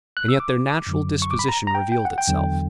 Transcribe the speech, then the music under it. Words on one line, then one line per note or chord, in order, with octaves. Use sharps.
And yet their natural disposition revealed itself.
F#6
E6
D6
F#2 D3 F#3
C#6
D6
B5
A#5
A#5
G5
G5
F#5
G5
E2 D3 F#3